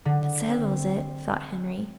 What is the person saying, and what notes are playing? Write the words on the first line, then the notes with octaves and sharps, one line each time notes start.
"That settles it," thought Henry.
D3
C4